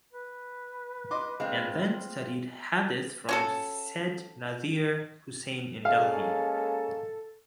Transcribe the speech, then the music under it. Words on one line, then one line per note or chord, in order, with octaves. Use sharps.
And then studied hadith from Syed Nazeer Husain in Delhi.
B4
D#5 C6 D6
G#3 C4 F4 F5
C#4 F#4 A4
G#3 A#3 C#4 A4 F5